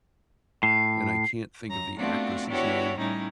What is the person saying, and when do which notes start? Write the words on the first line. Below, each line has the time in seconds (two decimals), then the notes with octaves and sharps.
and I can't think of the actress' name
0.63 A2 C7
1.67 F#2 A#5
1.98 A3 B3 C4 D4 F4 F#4
2.47 B3 D4 E4 F#4 G4 C#5
2.97 A2 D#3 G3 C#4 D#4 E4